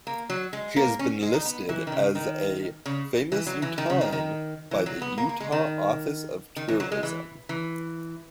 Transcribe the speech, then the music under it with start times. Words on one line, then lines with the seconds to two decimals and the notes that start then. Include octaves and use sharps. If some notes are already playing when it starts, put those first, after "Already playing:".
She has been listed as a "Famous Utahn" by the Utah Office of Tourism.
0.07 A#3
0.30 F#3
0.53 G#3
0.76 A#3
0.99 C#4
1.23 G#3
1.34 D#4
1.45 B3
1.69 E3
1.87 D#3
1.92 C#3
2.15 D#3
2.86 C#3
3.32 E3
3.47 F#3
3.62 E3
3.78 D#3
3.90 C#3
4.01 D#3
4.12 D#3
4.71 E3
4.86 F#3
5.02 B3
5.18 A#3
5.29 A#3
5.40 G#3
5.52 D#3
6.56 D#3
6.68 E3
6.80 F#3
6.92 G#3
7.03 E3
7.49 E3